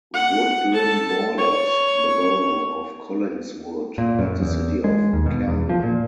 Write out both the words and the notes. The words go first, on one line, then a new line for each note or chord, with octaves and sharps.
Woodlynne borders the Borough of Collingswood and the City of Camden.
F#5
A4 A5
C#5
A#2
F#2
E2
G#3
D#2
B2
E2
F3
A#2